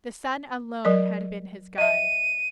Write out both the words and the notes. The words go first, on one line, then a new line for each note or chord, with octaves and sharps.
The Sun alone had been his guide.
F#3 A#4 D#5
D#5 E5 D#7